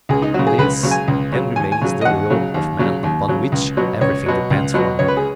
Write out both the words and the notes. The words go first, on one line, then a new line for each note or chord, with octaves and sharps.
It is and remains the will of man upon which everything depends for him.
C#2 G#4
D#4
C#3 F#3 F#4
G#4
C#2 B4
C#3 F#3
G#5
C#2
C#3 F#3
D#2 G#5
G#5
C#3 F#3
D#5
D#2 F#5
C#3 F#3
D#2
C#3 F#3
D#2
C#3 F#3
C#2
B2 F#3
C#2 C#5
B2 F#3
C#2
B2 F#3
C#2 C#5
B4
G#4